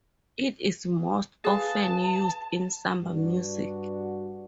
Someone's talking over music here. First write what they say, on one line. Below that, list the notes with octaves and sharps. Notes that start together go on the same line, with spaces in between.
It is most often used in samba music.
G#4 B4 F5 A5
G2 D4 F#4